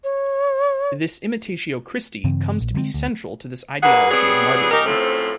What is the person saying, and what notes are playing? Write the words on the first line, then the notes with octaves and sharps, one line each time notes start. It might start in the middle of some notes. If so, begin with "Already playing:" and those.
This imitatio Christi comes to be central to this ideology of martyrdom.
C#5
G2 C#3 E3 C4
A#1
D3 G#3 A3 C4
D2
G2 A#3 G#4 B4 F#5
F#3 G3 B3 C4 G#4
C#4 D#4 G4 A#4
F#2 A2 F3 A3 C4